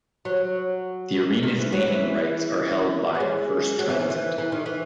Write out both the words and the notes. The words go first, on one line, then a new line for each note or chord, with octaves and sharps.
The arena's naming rights are held by First Transit.
F#3
D#3
E3
F#3
E3
F#3
G#3
F#3
E3
D#3
E3
E3
D#3
E3